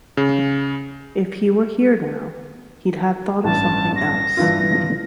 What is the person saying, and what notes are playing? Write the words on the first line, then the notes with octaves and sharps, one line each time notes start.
If he were here now, he'd have thought of something else.
C#3
A1 G2 A5
A#6
G2 E3 F4